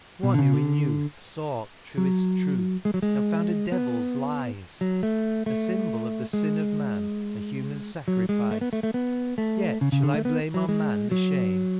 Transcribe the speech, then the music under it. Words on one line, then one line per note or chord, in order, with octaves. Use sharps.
One who in youth sought truest truth, and found a devil's lies; A symbol of the sin of man, a human sacrifice: Yet shall I blame on man the shame?
B2
D3
C#3
D3
F#3
G#3
F#3
G#3
B3
F#3
A3
A3
G#3
F#3
G#3
A3
B3
A3
A3
B3
A3
C#3
C#3
D3
A3
B3
F#3
G#3
F#3